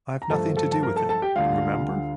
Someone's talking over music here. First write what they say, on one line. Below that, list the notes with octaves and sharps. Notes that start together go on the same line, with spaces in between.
I’ve nothing to do with it, remember.
A#5
G2 F3 A3 A4 A5
A4 A5
A5
A#4 A#5
A4 A5
A4 A5
G4 G5
D2 D3 G3 F4 F5